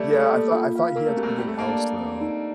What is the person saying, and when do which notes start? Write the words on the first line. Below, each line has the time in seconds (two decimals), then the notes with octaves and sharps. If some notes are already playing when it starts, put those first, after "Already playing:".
Yeah, I thought I thought he had something else though.
Already playing: G3 A3 D5
0.13 A3 A4
0.33 A#3
0.55 F4
0.75 F5
0.95 A#3 A#4
1.07 A3
1.17 G3 C4
1.23 A#3
1.27 A3
1.38 G3 G4
1.47 A3
1.58 A#3 A5
1.69 D4
1.79 D5
2.00 C4
2.21 D#4